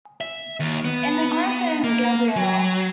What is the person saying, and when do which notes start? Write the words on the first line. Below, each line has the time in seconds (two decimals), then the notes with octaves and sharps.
In the group is Gabrielle.
0.21 E5
0.60 D#2
0.85 B3
1.84 A#3
2.36 F#3